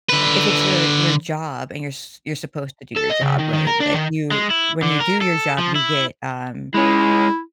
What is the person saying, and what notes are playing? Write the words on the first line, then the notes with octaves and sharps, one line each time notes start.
if it's your your job, and you're s you're supposed to do your job, right? But, you when you do your job, you get, um,
D3 B4
A4
D#5
C#3
D#3
D#3
A#4
D4
D#3
G#3
E4
D3
A#4
A4
F3
E4
G#3 C#4 E4